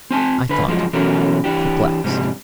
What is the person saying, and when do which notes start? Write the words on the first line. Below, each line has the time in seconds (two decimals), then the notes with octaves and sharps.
I thought perplexed.
0.11 C4 G#5 A5
0.49 D3 B4
0.68 F#2 F3 G#3
0.93 B2 E3 F#3 C#4 A4 A#4
1.44 E3 D4 G4
2.04 F2 G#2 C3 G3